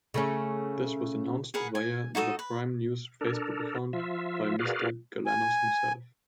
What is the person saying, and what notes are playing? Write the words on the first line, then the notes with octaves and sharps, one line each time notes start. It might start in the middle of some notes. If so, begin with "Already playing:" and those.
This was announced via the Prime News Facebook account by Mr. Galanos himself.
C#3 A3 C#4
G#4 A#4 B4 F#5
G#5
D#4 F#4 A4 D#6
B4
D4 A4 A#4
F3 F4 E5
F#4 G#4 A#4 B4 D5 F5
G#5